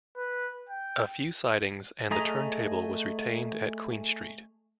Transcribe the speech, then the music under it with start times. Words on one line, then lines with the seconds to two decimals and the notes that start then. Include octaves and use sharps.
A few sidings and the turntable was retained at Queen Street.
0.16 B4
0.69 G5
2.11 A3 G#4 D#5 A#5